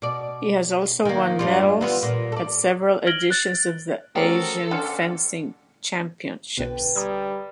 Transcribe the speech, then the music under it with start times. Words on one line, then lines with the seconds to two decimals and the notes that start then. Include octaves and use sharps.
He has also won medals at several editions of the Asian Fencing Championships.
0.02 B2 D5
1.05 D#3 A#3
1.39 G2 G3 F4
1.81 E3 B3 F4
2.03 A#2
2.32 A4 D5
3.07 F6 G#6 A#6 D7 F#7 G7
3.30 F#6 A6
4.16 A3 C#4 F#4 G4 A4 A#4 C5 D#6
4.71 F2 D3 C#4 D4 C6 F6 C#7
6.57 B1 B2 D3 B4 G5
6.95 G3 A#5 D#6 G#6